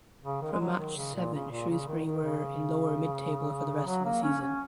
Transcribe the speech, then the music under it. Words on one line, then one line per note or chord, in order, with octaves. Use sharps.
From match seven Shrewsbury were in lower midtable for the rest of the season.
C#3
D#3
G#3
F#3
D#3
C#3
A#2
C#3
A#2
C#3
D#3
D#3
C#3
F#3
A#3
C#4
C#4